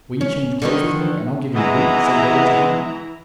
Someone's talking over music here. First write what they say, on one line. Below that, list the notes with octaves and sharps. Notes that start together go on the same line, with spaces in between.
"Will you change clothes with me, and I'll give you boot?" said Billy to him.
C#4
D3 D#3 D#4
E3 G#3 B3 E4 A#5